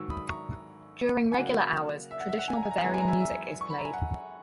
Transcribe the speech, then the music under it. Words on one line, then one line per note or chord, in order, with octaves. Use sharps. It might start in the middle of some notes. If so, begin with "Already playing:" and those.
During regular hours traditional Bavarian music is played.
Already playing: G#2 D#3 F#3 C#6 E6
B5 D#6
A#5 C#6
G#5
C#3 F#3 A#3 F#5
E5
F#5
E5
F#5
G#5
A#5
G#5
A#5
G#5
F#2 E3 G#3 B3 A#5
G#5
A#5
E5 G#5
E5
C#6
B5
A#5
G#5
F#5